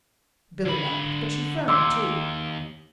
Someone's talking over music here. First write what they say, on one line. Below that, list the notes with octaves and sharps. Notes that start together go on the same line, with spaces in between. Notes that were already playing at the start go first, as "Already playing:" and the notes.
Billy laughed, but she frowned, too.
D3 B5
D#2 C6 D6 E6